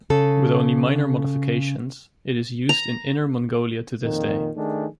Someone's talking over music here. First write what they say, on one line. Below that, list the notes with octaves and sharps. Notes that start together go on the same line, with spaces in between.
With only minor modifications, it is used in Inner Mongolia to this day.
C#3 A4
A#5
F2 A#2 D#3
D#3 A3 D4 G#4